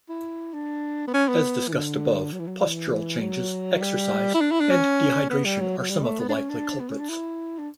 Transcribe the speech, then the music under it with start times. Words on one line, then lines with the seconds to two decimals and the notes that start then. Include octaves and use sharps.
As discussed above, postural changes, exercise, and dehydration are some of the likely culprits.
0.09 E4
0.54 D4
1.08 B3
1.14 C#4
1.29 B3
1.68 E3
1.73 D3
2.33 F#3
2.39 E3
2.47 F#3
2.62 E3
3.21 F#3
3.81 G3
4.34 E4
4.41 D4
4.51 E4
4.60 D4
4.71 C#4
5.30 B3
5.45 G3
5.61 F#3
5.79 F#3
5.90 G3
6.04 A3
6.20 B3
6.29 D4
6.34 C#4
6.50 D4
6.80 B3
6.90 C#4
7.00 D4
7.09 E4
7.59 D4